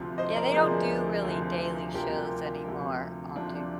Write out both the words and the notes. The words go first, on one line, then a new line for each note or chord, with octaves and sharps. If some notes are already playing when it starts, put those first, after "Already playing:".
Yeah, they don't do really daily shows anymore on t
Already playing: D2 C3 F3
C5 D#5
A#4 D5
D2 C3 F3 G#4 C5
D2 C3 F3
D2 C3 F3 G4 A#4
D2 C3 F3
D2 C3 F3 D4